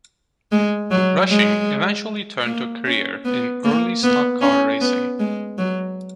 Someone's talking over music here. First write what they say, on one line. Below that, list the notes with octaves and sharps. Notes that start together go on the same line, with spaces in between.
Rushing eventually turned to a career in early stock car racing.
G#3
F#3
G#3
A#3
C#4
B3
A#3
B3
C#4
B3
G#3
F#3